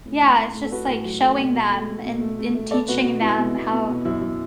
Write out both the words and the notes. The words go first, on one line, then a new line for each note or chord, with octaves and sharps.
yeah, it's just, like, showing them and and teaching them how
A2
A2
A2
A3
A4
A2 F#4 B4
A2
F#3
A3
B2
B2
A3
A3
B2
A3
A3
A3
B3 A4 D5
B2 F#4 B4
B2
B3 E4
B2
B2
B3
B2
F#2 E4
F#2